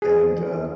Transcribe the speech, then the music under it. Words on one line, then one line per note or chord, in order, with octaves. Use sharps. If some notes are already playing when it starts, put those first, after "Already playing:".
and, uh
G#4